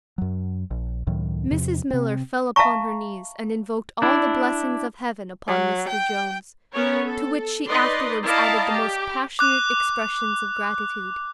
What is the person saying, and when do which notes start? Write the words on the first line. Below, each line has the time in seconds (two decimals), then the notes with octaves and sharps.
Mrs Miller fell upon her knees and invoked all the blessings of heaven upon Mr Jones; to which she afterwards added the most passionate expressions of gratitude.
0.18 F#2 F#3
0.71 A#1
1.07 C#2 A2 D#3 F#3
1.51 E2 C3 F3
1.91 C3 C4
2.56 E5 F5 A5 A#5 C#6
4.02 D4 E4
5.47 F#3
5.88 G5
6.73 B3 C#4 A#4 C#5
7.06 A4
7.68 D#4 B4 D5 D#5 C6
8.26 E4 D5 D#5 F5 A5 A#5
8.71 G4
9.39 D6 F#6